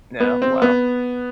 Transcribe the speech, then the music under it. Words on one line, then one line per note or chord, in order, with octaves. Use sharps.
Yeah, wow,
B3
C4
B3